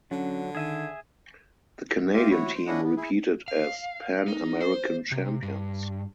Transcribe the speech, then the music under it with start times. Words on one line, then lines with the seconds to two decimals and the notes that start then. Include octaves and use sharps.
The Canadian team repeated as Pan American Champions.
0.11 D3 F#3 C#4
0.55 D#3 G#4 E5 G#5
2.14 G4 C5 E5 F5
2.30 E4 F#4 C#5
2.55 C5
2.67 C#4 D4 E4 D#5 F#5
2.83 B3
2.97 E4 G#4
3.48 F5
4.28 D#4
4.61 C5
5.11 C3
5.43 G2